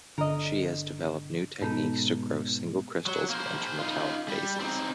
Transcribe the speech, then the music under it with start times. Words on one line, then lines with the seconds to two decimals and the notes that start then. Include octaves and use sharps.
She has developed new techniques to grow single crystals of intermetallic phases.
0.18 G1 D3 A#4 D#5
1.61 G#2 B2 D#4 A4 B4
3.06 F#3
3.30 A#3 C5
3.79 D#4 F4
4.28 G3
4.60 C4 D#4